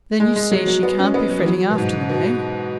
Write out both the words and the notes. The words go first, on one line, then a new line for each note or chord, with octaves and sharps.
'Then, you see, she can't be fretting after them, eh?
G#3
G#3
F#3
F#3
B3
C#4
B3
F#3
E3
F#3
B2
G#2
B2